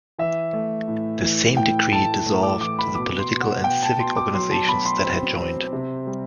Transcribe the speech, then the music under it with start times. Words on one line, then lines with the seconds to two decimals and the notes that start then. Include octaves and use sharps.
The same Decree dissolved the political and civic organizations that had joined.
0.18 E3 E5
0.53 A3
0.88 A2
1.22 E3
1.57 A2 G5
1.91 A3 A5
2.26 A3
2.43 D6
2.61 E3 D6
2.79 B5
2.95 B2 D6
3.19 C6
3.31 B2
3.41 F#5
3.64 B2 G5
3.83 A5
4.00 B2 C6
4.17 D6
4.33 F#3 C6
4.51 A5
4.68 B2 B5
4.85 C6
5.03 C4
5.37 C4
5.73 C3
6.07 G3